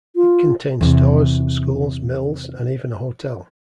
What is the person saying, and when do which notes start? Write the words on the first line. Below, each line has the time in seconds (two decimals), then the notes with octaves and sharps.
It contained stores, schools, mills, and even a hotel.
0.16 F4
0.81 E2 C3